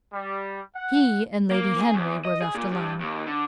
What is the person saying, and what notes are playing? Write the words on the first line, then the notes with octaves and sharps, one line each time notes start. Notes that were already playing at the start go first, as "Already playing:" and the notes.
He and Lady Henry were left alone.
G3
F#5
A#3
G#4
E2
D#5
G#4
A#2
G2
D#2
D3